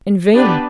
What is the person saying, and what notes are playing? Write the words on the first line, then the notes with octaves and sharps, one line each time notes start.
In vain!
B3 D4 G4 B4 D5